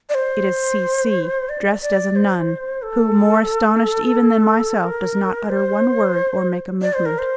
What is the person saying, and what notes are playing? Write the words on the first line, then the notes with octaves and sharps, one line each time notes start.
It is C---- C----, dressed as a nun, who, more astonished even than myself, does not utter one word or make a movement.
D5
C5
D5
D5
C5
A4
A#4
C5
D5
C5
A#4
C5